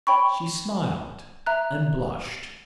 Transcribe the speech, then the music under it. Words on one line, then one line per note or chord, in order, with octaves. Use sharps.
She smiled and blushed.
C#5 G5 B5 C#6
E5 A#5 F#6